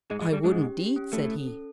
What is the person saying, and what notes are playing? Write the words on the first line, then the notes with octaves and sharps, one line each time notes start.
"I would, indeed!" said he.
G#2 G#3 G#4
G#2 G#3
G#4
G2 G3
G#2 G#3 C#4
G4
G4
C#4
A2 A3 A4
C#4
A4